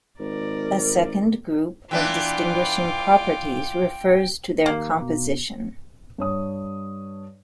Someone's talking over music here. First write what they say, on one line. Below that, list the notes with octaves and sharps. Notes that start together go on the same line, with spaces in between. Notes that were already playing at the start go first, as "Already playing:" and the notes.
A second group of distinguishing properties refers to their "composition".
G#1 A#4 D5
E3 B3 D4 F4 G5 D6
D#2 A#3
B2
G2 C#5 D#6